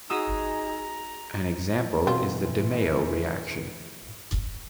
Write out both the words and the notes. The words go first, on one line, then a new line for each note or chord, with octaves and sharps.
An example is the DeMayo reaction.
D#4 F#4 G#4 A#5 D#6 E6
B2 E3 C4 F4